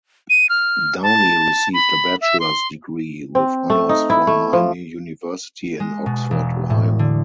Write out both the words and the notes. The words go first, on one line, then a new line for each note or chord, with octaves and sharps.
Downey received a bachelor's degree with honors from Miami University in Oxford, Ohio.
D#7
F6
A5
B5
E5
C6
C4
A3
D#4
E4
A3
F3
G#3
B2
E1
A2
D3